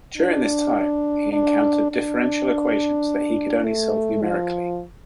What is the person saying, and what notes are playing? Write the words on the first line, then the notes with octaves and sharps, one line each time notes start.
During this time, he encountered differential equations that he could only solve numerically.
D4
D4
D4
A3
F3